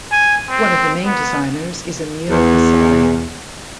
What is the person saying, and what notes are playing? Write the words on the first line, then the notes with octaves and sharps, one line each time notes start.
One of the main designers is Emile Asari.
G#5
C4
B3
E2